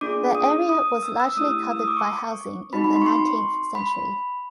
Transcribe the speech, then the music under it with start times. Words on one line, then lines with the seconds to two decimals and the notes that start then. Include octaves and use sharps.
The area was largely covered by housing in the nineteenth century.
0.01 A#3 D4 F4 G#4 D6
0.35 D#6
0.69 D#6
1.03 E6
1.20 E6
1.37 A3 C#4 E4 G4 D#6
1.71 E6
1.79 D#6
1.88 D6
1.97 C#6
2.73 C4 D#4 F#4 B5
2.84 B5
2.96 C6
3.02 C#6
3.06 C6
3.75 B5